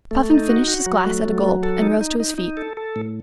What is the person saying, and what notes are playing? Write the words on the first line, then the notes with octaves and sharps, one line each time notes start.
Puffin finished his glass at a gulp, and rose to his feet.
A3
D#4
F#4
F#4
F#3
A3
F#3
F#3
A4
D#4
D#4
D#4
D#4
A4
A4
A2